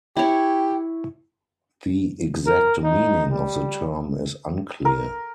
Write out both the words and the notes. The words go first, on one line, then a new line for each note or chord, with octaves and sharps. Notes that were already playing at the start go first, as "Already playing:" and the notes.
The exact meaning of the term is unclear.
E4 G4 C#5
A#4
D#4
G3
A#4